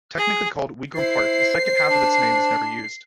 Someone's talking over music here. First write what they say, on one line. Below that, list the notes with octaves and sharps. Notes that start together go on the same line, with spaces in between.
Technically called "Wigram Park", the second half of its name is never used.
G#4
E4 C5 C7
D4